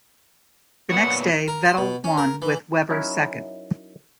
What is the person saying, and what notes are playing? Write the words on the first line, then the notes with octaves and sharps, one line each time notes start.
The next day, Vettel won, with Webber second.
A#2 B3 C#5 F#5
A#4
C6
B2
C#4
A#4
E3
F#3 C#4 D#4 E4 A#4